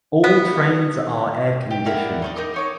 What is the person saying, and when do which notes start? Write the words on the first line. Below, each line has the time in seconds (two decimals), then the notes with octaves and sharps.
All trains are air conditioned.
0.24 B3
1.71 G4
1.85 E4 A#4 D5 F#5
2.22 D#4 C#5 D5
2.37 D#4 A#4 D6
2.54 D#4 C#5 D6